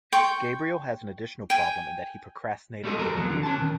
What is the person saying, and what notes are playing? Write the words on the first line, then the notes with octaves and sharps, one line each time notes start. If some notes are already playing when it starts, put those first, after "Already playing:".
Gabriel has an additional problem in that he procrastinated getting married.
G5 C6 C#6
G5 G#5
G3 G#3 F#4 A4 D#5
F2 A4 A#4 A#5
D#2 F3 F#3
D3
C#4 A5
C2 D#3